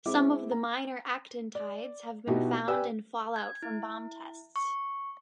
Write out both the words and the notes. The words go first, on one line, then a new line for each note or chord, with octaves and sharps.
Some of the minor actinides have been found in fallout from bomb tests.
G#3 C4 E4 D6
A#5
D5
B2 B3 D#4 E4 F#4 G4
G4 B4 D5 G5 G#5 E6
G#6
E4
C#6